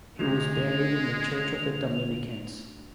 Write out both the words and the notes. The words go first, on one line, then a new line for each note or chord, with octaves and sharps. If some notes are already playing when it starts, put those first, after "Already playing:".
He was buried in the Church of the Dominicans.
D3 G#3 A3 D4 F#4 F7